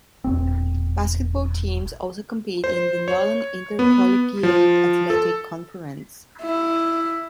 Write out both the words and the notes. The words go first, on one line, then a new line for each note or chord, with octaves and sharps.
Basketball teams also compete in the Northern Intercollegiate Athletic Conference.
E1 A#1 C4
C5
C#5
B3
F3
A4
E4